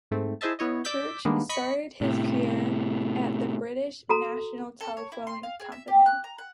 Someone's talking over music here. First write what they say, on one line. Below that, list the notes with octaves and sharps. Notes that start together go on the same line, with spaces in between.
Church started his career at the British National Telephone Company.
G#2 A3 C4
E4 G#4 C5 D#5 E5 A5
B3 E4 C#5 D#5
D5 D6 E6 G6 B6
D#3 G3 G#3 A#3 B3 D4
D#5 B5 C#6 B6 C#7
A2 C3
F#4 A4 A#5
A4
C#5
E4
C6
F5
G#4
E5
G4
F#6
A#5
F#5